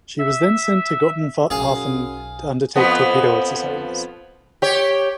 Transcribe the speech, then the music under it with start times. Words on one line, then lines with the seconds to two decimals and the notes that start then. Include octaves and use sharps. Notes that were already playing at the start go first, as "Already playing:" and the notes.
She was then sent to Gotenhafen to undertake torpedo exercises.
0.18 E5
1.50 B1 F#2 G#4 F5
2.75 F2 F3 B3
4.62 G4 C#5